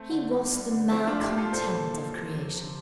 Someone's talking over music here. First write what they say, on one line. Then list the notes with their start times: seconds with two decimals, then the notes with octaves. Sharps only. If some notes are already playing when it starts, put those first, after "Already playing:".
He was the malcontent of creation.
Already playing: A3 C4
0.10 D3
0.31 G2
0.51 G2
0.71 D3
0.92 F3 C4 E4
1.07 D4 F4
1.12 F3
1.22 E4 G4
1.32 F3
1.37 F4 A4
1.53 A#2 A4 C5
1.74 A#2
1.94 F3
2.13 C3
2.35 F2
2.54 C3